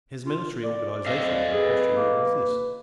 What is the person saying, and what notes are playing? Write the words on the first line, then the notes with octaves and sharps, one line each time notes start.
His military organization of the equestrian order was this.
F4
D5
C4 A4 D#5 F5
G#4 B4
A#3